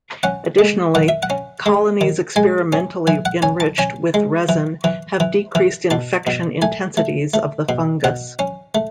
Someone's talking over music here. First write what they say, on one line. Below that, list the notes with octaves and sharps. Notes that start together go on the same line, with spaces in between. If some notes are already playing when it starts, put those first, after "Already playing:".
Additionally, colonies experimentally enriched with resin have decreased infection intensities of the fungus.
C#4 F#5
G#3
D#3 F#5
E5
F#5
C#4
G#3
D#3
G#3 G#5
C#4
E3 G#5
F#5
C#4 G#5
A5
C#4 G#5
G#3
E3
E3
E3
E3
B2 A5
B2
A3 G#5
A3
A3
B2
B2 F#5
C#4
A3